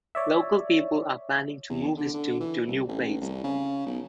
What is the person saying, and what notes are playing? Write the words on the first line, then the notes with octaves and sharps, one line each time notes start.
Local people are planning to move his tomb to new place.
C#5 D5 E5
E2
D3
D3
E3
C2
A1
C2
C#3
B1